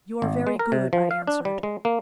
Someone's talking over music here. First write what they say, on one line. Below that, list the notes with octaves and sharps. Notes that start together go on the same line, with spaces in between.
"You are very good," I answered.
G#1
G#3
A#4
C3
F3
F5
D4
G3
G#3
A#3